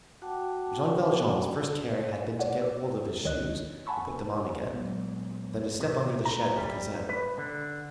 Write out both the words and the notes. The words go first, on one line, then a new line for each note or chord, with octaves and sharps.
Jean Valjean's first care had been to get hold of his shoes and put them on again, then to step under the shed with Cosette.
F#4 F#5 G5 A5 D6
C#5 D5 F#5
D6 E6
C#2 D#3 C#5 D#5 F#6
F#5 G#5 A5 B5 C#6 E6
A#2 F#3 G#3 B3
C3
A#5
G3
B4
D3